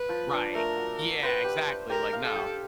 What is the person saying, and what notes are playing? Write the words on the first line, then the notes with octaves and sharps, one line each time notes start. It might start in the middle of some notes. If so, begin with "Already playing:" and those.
right, yeah, exactly, like, "No."
Already playing: B4
F3
D4
A3 A#4
F#4
F#4
B4 C5
G4
C5
G4 A#4
F5
A4
G4